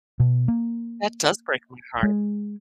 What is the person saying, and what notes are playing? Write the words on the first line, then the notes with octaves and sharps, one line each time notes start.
That does break my heart.
B2
A#3
G#3